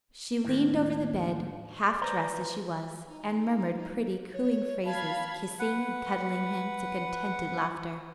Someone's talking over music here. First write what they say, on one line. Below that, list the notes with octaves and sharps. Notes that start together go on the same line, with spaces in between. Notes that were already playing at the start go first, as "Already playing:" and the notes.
She leaned over the bed, half dressed as she was, and murmured pretty cooing phrases, kissing and cuddling him to contented laughter.
D#2 A2
B4 C5 D5 A#5
D#4
C#5
F5 A5 B5 G#6
B4 F#5